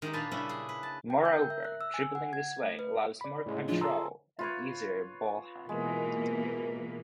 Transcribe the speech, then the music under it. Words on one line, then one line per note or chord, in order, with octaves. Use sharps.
Moreover, dribbling this way allows more control and easier ball-handling.
D#3 G#3 D#4 G4
A#2 D4 F4 B4 G#5 A5
C#3 G3 C#4 D4 E4
G#4
B4
A5
G5
G6
A#4
E5
F#6
E6
G#5
F#5
G#6
A3
B4
D5 B5
A2 C#3 G#3
F3 D4 F4
G#4 A4 A#5 C6 E6
F4 B4 C#5
B2 E3 G#3 A#3